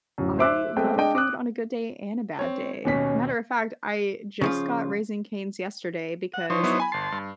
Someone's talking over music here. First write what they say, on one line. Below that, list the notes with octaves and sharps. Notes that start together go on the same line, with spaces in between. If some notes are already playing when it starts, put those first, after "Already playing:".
I love food on a good day and a bad day, matter of fact, I just got Raising Cane's yesterday because
D1 F#2
C5 E5 D6 E6 F#6
G#3 A3 B3 C4 B4 G5
G#3 D4 D#5 G5
D6 D#6 F#6
C4 C#5
D#2 B2 C#4 B6
C#3 F3 F4
F#5
F3 D#4 C5 C#5
F#3 B3 E4
G#5 B5
G1 A5 C6 C7
G2